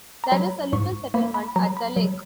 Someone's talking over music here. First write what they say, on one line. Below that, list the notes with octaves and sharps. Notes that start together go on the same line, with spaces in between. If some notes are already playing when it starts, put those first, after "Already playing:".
There is a little settlement at the lake.
A#5
F#3 B5
G#2 C#6
A#3 B5
B5
F#3 A#5
B5
F#3